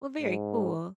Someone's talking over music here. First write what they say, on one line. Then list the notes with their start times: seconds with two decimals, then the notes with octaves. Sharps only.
Well, very cool,
0.21 G#2